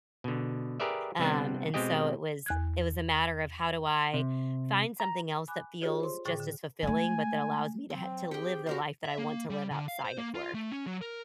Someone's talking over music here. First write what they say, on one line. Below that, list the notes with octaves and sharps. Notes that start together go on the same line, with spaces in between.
Um, and so it was it was a matter of how do I find something else that feels just as fulfilling, but that allows me to ha to live the life that I want to live outside of work.
B2 D3
G4 G#4 A#4 B4 D5 E5
C3 G3 B3 D4
B2 G#3 C4 G4 D#5 G5
E2 F#6 G#6
C3
A#5
G#5 B5 D6 F#6
F4 G4 G#4 C#5 D#5
C5 C6
A2 D3 G#4 G5 D6 A6
D3
G#3 A3 G#5
F#3 C4
G4 G#4 G5
F#4 G4 A#4 C5
E5
A#3
G3
D3
F5
C5
A#3
F4
A3
C#4
F#3
A#4